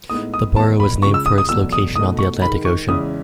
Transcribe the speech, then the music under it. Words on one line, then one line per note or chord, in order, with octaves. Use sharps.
The borough was named for its location on the Atlantic Ocean.
A2 G#3 B3 D#4 D#6
D#6
E2 D#3 G#3 B3 D#4 A5
B5
C#2 C#3 G#3 C#6
E6
D#6
D#6
E2 B2 F#3 A3 E6
D#6
B2 A3 D#4 D#6
C#6
G#2 D#3 G#3 B5
C#6
E2 C#3 G#3 C#4 E4 D#6